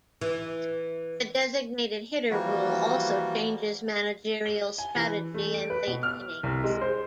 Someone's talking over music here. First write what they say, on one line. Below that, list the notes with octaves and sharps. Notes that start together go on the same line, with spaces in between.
The designated hitter rule also changes managerial strategy in late innings.
E3
E3 F3 G3 A#3 F#4
G7
G#5
E3
A3
D7
B4
B2
F6
C2
G#3
C5